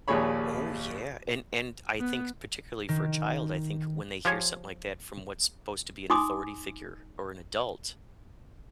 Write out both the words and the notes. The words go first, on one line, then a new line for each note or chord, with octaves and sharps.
Oh, yeah, and and I think particularly for a child, I think when they hear something like that from what's supposed to be an authority figure or an adult,
A#1 D#2 A#2 G#4 C#5 B5
B3
D#3
F3 G4 C5 C#5 G#5
D#4 G#5 C6 D6 D#6